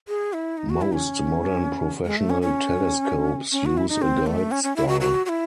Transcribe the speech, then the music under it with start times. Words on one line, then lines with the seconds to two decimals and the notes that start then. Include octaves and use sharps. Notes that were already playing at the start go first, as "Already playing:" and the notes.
Most modern professional telescopes use a guide star.
0.08 G#4
0.33 E4
0.58 D#4
0.70 F#4
0.82 E4
0.94 C#4
2.05 G#3
2.17 A3
2.30 C#4
2.42 C#4
3.52 C#4
3.66 F#4
3.77 E4
3.89 D#4
4.02 C4
4.26 A3
4.51 C#4
4.64 C#4
4.76 E4
4.88 F#4
5.01 F#4
5.26 F#4
5.29 E4